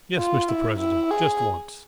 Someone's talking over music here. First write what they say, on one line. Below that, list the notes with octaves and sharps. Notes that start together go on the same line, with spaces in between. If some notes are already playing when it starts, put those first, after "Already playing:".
"Yes, Mr. President, just once."
F4
E4
E4
G#4